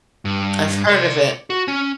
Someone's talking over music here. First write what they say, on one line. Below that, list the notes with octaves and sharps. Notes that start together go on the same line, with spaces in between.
I've heard of it.
G2
D5 C6
F#4
C#4